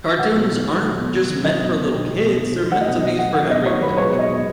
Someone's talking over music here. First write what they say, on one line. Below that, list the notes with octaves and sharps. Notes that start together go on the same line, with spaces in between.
cartoons aren't just meant for little kids, they're meant to be for everybody.
F#3 F#5
B2
B2
F#3
F#3
B2
B2
F#3
F#3 D#5
B2
B2
F#3
F#3
B2
B2
F#3
F#3 F#5
D#5
B2 F#5
B2 D#5
F#3 F#5
F#3 F#5
B2 D#5
B2 C#5
F#3 B4
G#3 C#5
B2
D#5
B2